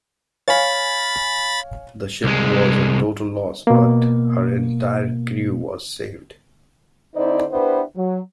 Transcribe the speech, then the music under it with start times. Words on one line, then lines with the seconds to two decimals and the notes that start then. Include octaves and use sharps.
The ship was a total loss, but her entire crew was saved.
0.48 C#5 F5 G#5 B5 A6
2.24 C2 G#3
3.67 B2 A#3
7.16 D3 C4 D#4 E4 C5 D5
7.51 B3 D4 E4 G4 B4 C5
7.96 F#3